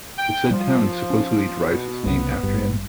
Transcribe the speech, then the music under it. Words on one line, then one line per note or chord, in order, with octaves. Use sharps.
The said town supposedly derives its name after him.
G5
F3 G3
C#4
B2
C2 C#3 B3
G#1 G2